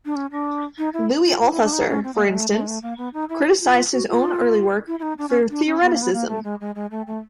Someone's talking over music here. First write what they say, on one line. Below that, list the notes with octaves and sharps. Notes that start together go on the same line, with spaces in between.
Louis Althusser, for instance, criticized his own early work for theoreticism.
D4
C#4
D4
D#4
E4
F4
F4
E4
D4
D#4
C#4
C4
A#3
G#3
A3
A3
G#3
A3
A#3
B3
D#4
E4
F4
F#4
F4
E4
E4
D#4
D4
C#4
D4
C#4
B3
A#3
B3
A#3
A3
G#3
G#3
G#3
A3
A3